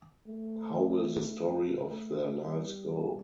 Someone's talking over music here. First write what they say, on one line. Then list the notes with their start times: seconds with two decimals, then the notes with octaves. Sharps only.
How will the story of their lives go?
0.27 A3
1.90 A3
2.43 G3